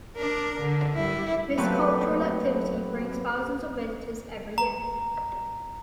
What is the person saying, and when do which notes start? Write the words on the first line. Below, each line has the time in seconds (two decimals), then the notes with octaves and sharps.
This cultural activity brings thousand of visitors every year.
0.16 D4 A#4
0.61 D3
0.95 G3 E4
1.58 F#3 A3 A#3 C4 G4 B4
4.58 A#5